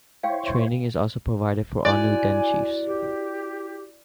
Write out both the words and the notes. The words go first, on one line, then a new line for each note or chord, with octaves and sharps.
Training is also provided for all new den chiefs.
E4 C5 C#5 F5 G5
E4 F#4 D5 G#5 F#6
G4